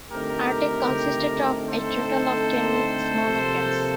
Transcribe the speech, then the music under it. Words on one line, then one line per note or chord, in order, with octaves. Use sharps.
Artek consisted of a total of ten smaller camps.
D3 A3 C4 D#4 G4 A#4
A4 C5
C3 F3 A#3 F4